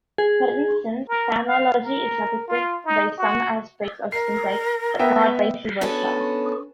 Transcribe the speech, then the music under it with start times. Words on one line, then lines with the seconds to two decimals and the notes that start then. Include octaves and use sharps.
For instance, phonology is affected by some aspects of syntax, but not vice versa.
0.18 G#4
1.09 A#4
1.46 F5
1.84 A#4
2.48 F4
2.86 D#4
3.18 F#4
4.12 A#4 C7
4.99 B3 E5 G5
5.81 B3 C#4 D4 F#4 A4 B4